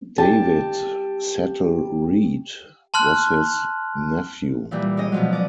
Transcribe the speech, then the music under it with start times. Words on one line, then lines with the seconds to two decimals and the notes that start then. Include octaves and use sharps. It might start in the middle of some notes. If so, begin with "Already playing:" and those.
David Settle Reid was his nephew.
0.18 G4 A5
2.94 A5 C6 F6 F#6
4.71 A#2 E3 G3
4.97 G#3 C#4 D#5
5.12 B2 F3 F#3
5.33 D5 D#5